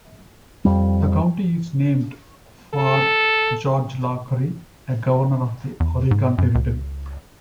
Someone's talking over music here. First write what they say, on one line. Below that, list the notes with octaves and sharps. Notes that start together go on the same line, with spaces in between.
The county is named for George Law Curry, a governor of the Oregon Territory.
F2 G3
A4
E2
G#2
F#2
C#2